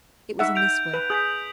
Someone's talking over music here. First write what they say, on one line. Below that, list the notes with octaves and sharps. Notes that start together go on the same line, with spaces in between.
It was in this way.
D#4 E5 F#5
G6 D7 F7
B4
G#4 D#6 G6 B6